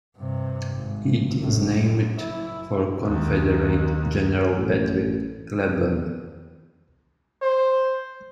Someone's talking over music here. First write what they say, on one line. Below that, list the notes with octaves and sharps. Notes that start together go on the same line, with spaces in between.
It is named for Confederate General Patrick Cleburne.
G2 C3
G#1
A#1 A2
F#2
F#1 E4
D#2
A1
C5